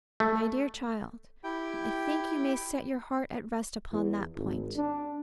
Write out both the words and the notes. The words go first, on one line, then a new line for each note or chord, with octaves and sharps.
My dear child, I think you may set your heart at rest upon that point.
A3
E4 G4 G5
E2
G#1
D4